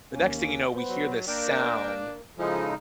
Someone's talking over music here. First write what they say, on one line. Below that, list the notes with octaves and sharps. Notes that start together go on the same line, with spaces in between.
the next thing you know, we hear this sound
D#2 A#3 C#4
B3 B4 C5
F#3
A#3 D4 A#4 G5
C#3 F3 G#3 D#4 E4 G#4 A4